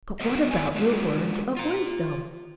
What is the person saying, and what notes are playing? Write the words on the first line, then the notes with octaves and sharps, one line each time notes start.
'But what about your words of wisdom?'
F#3 B3 C5 D#5
E2 E3 C4 G#5
G#3 D4 F4 F#4
F4 A#5